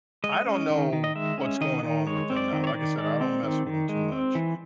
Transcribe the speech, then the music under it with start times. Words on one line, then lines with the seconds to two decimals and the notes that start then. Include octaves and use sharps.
I don't know what's going on with them now, like I said, I don't mess with 'em too much,
0.24 G#3 D#5
0.46 C#4
0.70 D#3
0.93 D#3
1.04 D#5
1.15 G#3 E5
1.38 C#4
1.61 D#3 D#5
1.83 D#3
2.07 G#3 C#5
2.30 C4
2.36 D5
2.53 D#3
2.64 C#5
2.67 D5
2.75 D#3
2.97 G#3 D5
3.21 C4
3.43 D#3
3.67 D#3
3.89 G#3
4.12 C4
4.35 E3